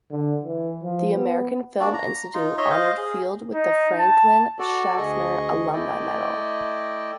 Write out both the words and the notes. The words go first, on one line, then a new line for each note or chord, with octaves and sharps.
The American Film Institute honored Field with the Franklin Schaffner Alumni Medal.
D3
E3
F3
B3
A#3 D4 F#4 D5
A#5
D#4 F4
C#5 D#5 E5 C6
C5 D#5 F5
G#4
D#4
A5
F#4 A4 D5
D2 G#4 D#5 C#6
A3 E4 D5 D#5 G5